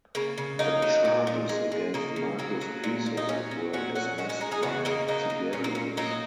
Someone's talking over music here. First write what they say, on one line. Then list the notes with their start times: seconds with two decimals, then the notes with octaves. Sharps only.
The charges against Marcus Piso were dismissed by Tiberius.
0.15 C#3 A#3
0.38 C#3
0.59 F#3 A#3 D#4
0.82 F#3
1.05 A#2
1.27 A#2
1.49 G#3
1.72 G#3
1.94 C#3 A#3 D#4
2.16 C#3
2.39 F#3 A#3
2.61 F#3
2.84 A#2
3.06 A#2
3.17 D#4
3.29 F#3 C#4
3.51 F#3
3.73 A#2 C#4 F#4
3.95 A#2 C#4 F#4
4.18 G#3 C#4 F#4
4.29 C#4 F#4
4.40 G#3 D#4 G#4
4.51 D#4 G#4
4.62 C#3 C#4 F#4
4.85 C#3 A#3 D#4
5.08 F#3 A#3 D#4
5.30 F#3
5.53 A#2 C#4
5.64 A#3
5.75 A#2 C#4
5.97 F#3 A#3 D#4